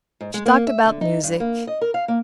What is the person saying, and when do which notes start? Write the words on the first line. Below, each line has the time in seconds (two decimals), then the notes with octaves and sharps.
She talked about music.
0.21 G#2
0.34 G#3
0.46 A#3
0.67 E5
0.85 D3
1.01 D#4
1.24 G2
1.40 A#3
1.67 D#5
1.81 A#4
1.94 F5
2.08 A#3